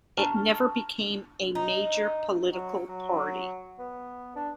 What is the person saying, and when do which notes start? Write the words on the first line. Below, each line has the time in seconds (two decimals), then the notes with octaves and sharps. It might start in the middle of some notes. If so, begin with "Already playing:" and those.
It never became a major political party.
0.18 A5 A#5 C#6 F6
1.55 D#4
2.53 F#3
2.89 F#3
3.79 B3
4.36 D4